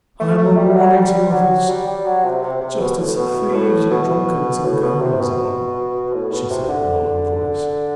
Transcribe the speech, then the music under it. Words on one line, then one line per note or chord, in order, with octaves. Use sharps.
"I am a warning to others, just as thieves and drunkards and gamblers are," she said in a low voice.
A3
A3
G3
F#3
G3
F#3
G3
G3
F#3
C3
C3
C3
B2
A2
B2
A2
B2
A2
B2
C3
B2
A2
B2
C3
D3